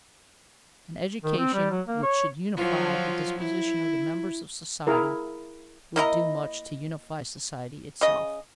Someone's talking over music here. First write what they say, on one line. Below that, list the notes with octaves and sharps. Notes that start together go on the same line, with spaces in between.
An education which should unify the disposition of the members of society would do much to unify society itself.
D#3
C4
G3
F#3
A#3
C#5
F3 F#3 F4
E4
E4 G#4 A#4
A#3 E4 D#5 A#5
C#3 D#5